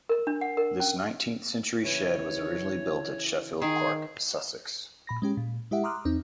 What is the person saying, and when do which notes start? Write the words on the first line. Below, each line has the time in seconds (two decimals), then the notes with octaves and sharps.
This nineteenth-century shed was originally built at Sheffield Park, Sussex.
0.09 A#4
0.27 D4
0.41 F#5
0.57 A#4
0.80 C#4
1.84 C#3 E3 C#5
3.62 D#3 G#4
5.07 A#2 B5 A#6
5.22 G#3 C#4 G4
5.37 A#2
5.71 G#3 E4 G4 E5 F#5
5.84 A#5 C6 D6 D#6 F6 F#6
6.05 E2 C4 D#4